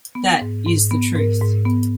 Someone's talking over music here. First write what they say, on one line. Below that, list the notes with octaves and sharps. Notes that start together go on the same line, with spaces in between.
That is the truth.
B3
G#2
G#2
B3
G#2 A#4
G#2
B3